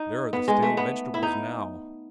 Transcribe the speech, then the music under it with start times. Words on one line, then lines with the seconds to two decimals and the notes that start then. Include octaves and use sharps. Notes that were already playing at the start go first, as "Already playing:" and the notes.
There are the stale vegetables now.
Already playing: D#4
0.33 B3
0.48 G#3
0.62 A3
0.77 B3
1.14 E4
1.23 D#4